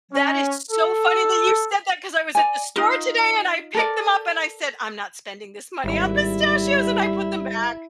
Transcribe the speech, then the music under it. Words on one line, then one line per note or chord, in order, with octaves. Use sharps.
That is so funny that you said that 'cause I was at the store today and I picked them up and I said, "I'm not spending this money on pistachios." And I put them back.
C#4
A4
D5 G#5
D#4 F4 A#4
A4 A#4 D5
G#1 G3 E4